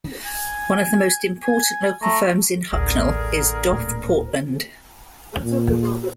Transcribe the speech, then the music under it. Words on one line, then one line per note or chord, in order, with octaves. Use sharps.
One of the most important local firms in Hucknall is Doff Portland.
G#5
G#5
A3 A#5
A1 D2 D3 G#4 A#4
D1 A#2
A#2